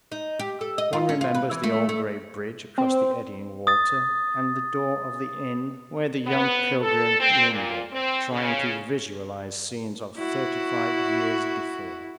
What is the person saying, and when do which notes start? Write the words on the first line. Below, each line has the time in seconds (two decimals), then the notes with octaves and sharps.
One remembers the old gray bridge across the eddying water, and the door of the inn where the young pilgrim lingered, trying to visualize scenes of thirty-five years before.
0.12 D#4
0.39 G4
0.61 A4
0.78 D#5
0.93 F4
1.09 C#4
1.21 F4
1.35 B4
1.51 E3
1.63 A3
1.89 A3
2.78 C4
3.67 D#6 A6
6.26 B3
6.81 A4
7.20 C4
7.51 A#2
7.93 C4
8.32 C#3
10.18 E4 F#4